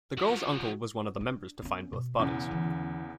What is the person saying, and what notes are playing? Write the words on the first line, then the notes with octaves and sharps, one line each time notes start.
The girls' uncle was one of the members to find both bodies.
F3 F#4
D4
B3 C#4
B2
E2 C#3
D3 E3